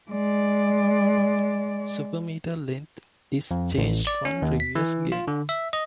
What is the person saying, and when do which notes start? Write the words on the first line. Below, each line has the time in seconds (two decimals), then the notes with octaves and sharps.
Super Meter length is changed from previous game.
0.11 G#3 D5
3.51 F2
3.78 A1
4.07 D5
4.25 C#4
4.42 D#2
4.60 B6
4.75 E3
5.12 F4
5.28 D3
5.49 E5
5.73 D#5